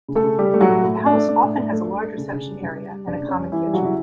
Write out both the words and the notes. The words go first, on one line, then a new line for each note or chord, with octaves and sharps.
The house often has a large reception area and a common kitchen.
C#3
A3 A4
C#3
G3 A3 G4
A3
F#3 F#4
A2
A2
A2
D4
A3
A3 D4
A2
A2
A3
A3
A3
C#3
C#3
G3
C#3
G3
G3
C#3 D4
C#3
C#4
G3
E3 G3 E4
G3
F#3 F#4
C#3 E4